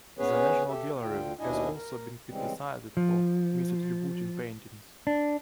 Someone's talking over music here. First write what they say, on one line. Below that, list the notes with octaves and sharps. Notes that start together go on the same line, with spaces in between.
The National Gallery has also been criticised for misattributing paintings.
B3 C#4 G#4 B4 C#5
G4 A4 E5
D2 D3 F4 G5
D#2 B2 D4 E4 D#5 G#5
A#4
C#3 E3 G3 G#3 C4
F3
D4